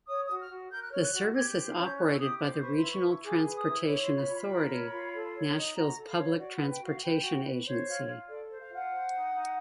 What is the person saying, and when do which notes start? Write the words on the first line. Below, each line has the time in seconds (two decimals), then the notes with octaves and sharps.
The service is operated by the Regional Transportation Authority, Nashville's public transportation agency.
0.07 C#5 D#6
0.23 D#6
0.28 F#4
0.39 F6
0.49 F#4
0.70 A#4 G6
0.81 F#6
0.91 C#5 F6
1.01 F#6
1.12 F#4
1.33 G4 G#6
1.50 G6
1.55 C5
1.76 C#4 G6
1.96 E4 F#6
2.12 E6
2.17 G4 D#6
2.38 C5 D6
2.59 B4 C#6
2.76 E4 C6
2.91 C#6
3.02 E4 C#6
3.22 G#4 D6
3.44 B4
3.54 D#6
3.65 E4
3.86 C#5 D6
4.01 C6
4.07 F4
4.17 B5
4.28 F4
4.33 B5
4.49 A#4
4.70 C#5
4.90 F4
5.12 A4
5.33 C#5
5.54 D#4
5.75 F#4 A#5
5.96 A4
6.06 F5
6.17 C#5
6.38 F#4 D5
6.54 F#5
6.59 B4
6.70 G5
6.81 F#4 F5
7.01 B4 G5
7.22 F#4
7.44 B4
7.64 C5 C#5
7.85 F4
8.07 F4
8.28 A4 D5
8.49 C5
8.59 F5
8.70 F4 F#5
8.91 C5
9.12 D#4
9.32 D#4